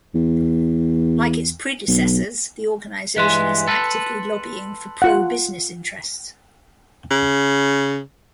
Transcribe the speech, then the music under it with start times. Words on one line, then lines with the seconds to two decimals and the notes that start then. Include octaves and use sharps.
Like its predecessors, the organisation is actively lobbying for pro-business interests.
0.14 E2
1.88 B1
3.16 G2 E3 G#3 C6 F#6 B6
3.68 A4 B4
5.02 F4 F#5
7.11 C#3